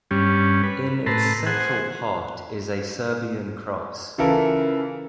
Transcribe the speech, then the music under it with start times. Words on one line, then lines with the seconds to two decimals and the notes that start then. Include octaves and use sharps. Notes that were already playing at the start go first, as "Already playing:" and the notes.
In its central part is a Serbian cross.
0.11 G2 G3 C#4
0.63 B4
1.06 A2 B4 A5 A#5 C6
1.46 G#4 C5 F#5
4.18 C#3 E3 E4 F4 A4 A#4